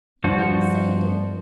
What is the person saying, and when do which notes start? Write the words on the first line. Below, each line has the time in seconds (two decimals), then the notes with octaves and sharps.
You needn't say you did.
0.24 G2 F3 F#4